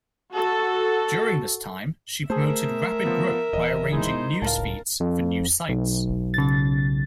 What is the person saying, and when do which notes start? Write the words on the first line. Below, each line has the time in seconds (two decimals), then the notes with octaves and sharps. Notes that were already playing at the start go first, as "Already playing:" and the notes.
During this time she promoted rapid growth by arranging news feeds for new sites.
0.32 F#4 A4
2.30 A3 G#4 A#4 C5 E5
3.05 F3 B3
3.53 D#1 E3 D#5
3.92 G#3 D#4 E4 G#4 C5
4.42 C#2 A2 A#4 F5 A5
5.00 F2
5.69 B1
6.34 C#3 A6